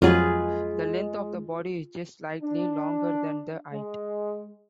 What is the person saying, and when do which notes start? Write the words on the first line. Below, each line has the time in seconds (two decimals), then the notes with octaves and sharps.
The length of the body is just slightly longer than the height.
0.02 F2 F#3 G#3 F4 G#4 B4
2.42 D4
3.72 G#3